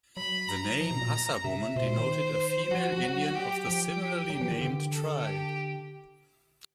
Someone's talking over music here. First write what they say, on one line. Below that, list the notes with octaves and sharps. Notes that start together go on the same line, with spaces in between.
The name "Assawoman" denoted a female Indian of the similarly-named tribe.
F#3 B5
A#5
F3 A#5
B2
A#2
C3 E5
B2 C5
A#2
D#3
F3 F#4
F3
F#3
G4
F3 G4
F#3
E3
D#3
D3
A4
G4